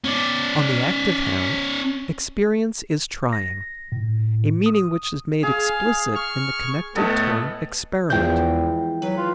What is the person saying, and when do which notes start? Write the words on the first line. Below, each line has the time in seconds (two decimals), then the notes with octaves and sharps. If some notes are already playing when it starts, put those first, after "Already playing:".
On the active hand, experience is trying--a meaning which is made explicit in the connected term experiment.
0.05 C#4 D5
3.33 A#6
3.92 A2
4.66 D#6
5.43 G#4 F5
6.15 C#6 F6
6.95 A2 B3 A4 D#5 A5
8.10 E2 E3 F3 G#3 G5 G6
9.02 F#3 B4
9.17 F4